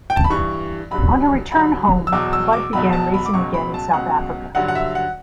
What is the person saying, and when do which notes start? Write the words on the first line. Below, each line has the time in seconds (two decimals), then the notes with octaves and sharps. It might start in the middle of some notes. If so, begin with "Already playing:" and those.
On her return home, Budd began racing again in South Africa.
0.10 G5
0.16 A5
0.24 B5
0.30 G2 E3 C#6
0.91 G2 D3 F#3 B5
1.52 G2 D3 F#3 B5
2.07 E6
2.12 E2 B2 F#3 D6
2.33 E6
2.53 D6
2.73 E2 B2 F#3 B5
2.93 A5
3.14 B5
3.26 D6
3.34 C#2 B2 F#3 C#6
3.54 B5
3.74 A5
3.93 C#2 B2 F#3 F#5
4.55 G2 D3 F#3 F#5
4.68 F#5
4.75 E5
4.95 F#5